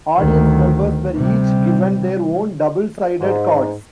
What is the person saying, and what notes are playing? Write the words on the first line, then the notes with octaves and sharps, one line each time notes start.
Audience members were each given their own double-sided cards.
D2 D#3
C3 G3
G#2